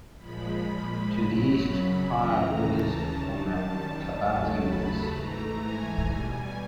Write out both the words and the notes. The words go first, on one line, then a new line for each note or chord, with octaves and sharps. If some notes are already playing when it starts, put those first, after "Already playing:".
To the east, Pyry borders on the Kabaty Woods.
A#2 F3 G#3 B5
F#2 C#3 F#3
D#2 C#3 E3 A#5
A5
F#2 D#3 G3
A5
D#2 C#3 F#3 A3 A5
B5
G#2 E3 A3 A#5
G#5
B2 G3